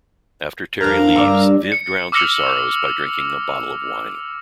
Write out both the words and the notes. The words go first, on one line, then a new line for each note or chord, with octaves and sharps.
After Terry leaves, Viv drowns her sorrows by drinking a bottle of wine.
F2 D4 A#4 F5 A#5
G2 D5 E6
C#7
D6 E6 F6 A#6 C#7 F7